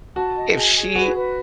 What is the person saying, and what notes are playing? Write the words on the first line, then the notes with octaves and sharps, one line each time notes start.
if she
F#4 A5
D#5
G#4
G#4
F#4 B4
B4